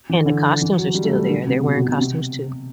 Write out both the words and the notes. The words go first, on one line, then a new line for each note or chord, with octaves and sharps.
And the costumes are still there, they're wearing costumes too.
E3
D3
E3
F#3
G3
A3
G3
D3
C3
B2
B2
B2
C3